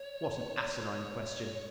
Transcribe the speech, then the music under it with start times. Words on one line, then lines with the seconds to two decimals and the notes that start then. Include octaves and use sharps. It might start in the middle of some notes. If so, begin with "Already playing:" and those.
"What an asinine question!"
Already playing: C#5
0.81 C#5